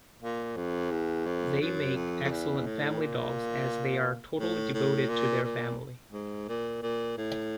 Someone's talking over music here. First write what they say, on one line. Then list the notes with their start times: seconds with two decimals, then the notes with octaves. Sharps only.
They make excellent family dogs as they are totally devoted to their family.
0.22 A#2
0.56 F2
0.91 E2
1.26 F2
1.61 F#2
1.95 F2
2.24 F2
2.31 E2
2.66 A2
3.01 A#2
4.39 A2
4.74 A2
5.09 A#2
5.43 A#2
6.13 G#2
6.49 A#2
6.83 A#2
7.18 A2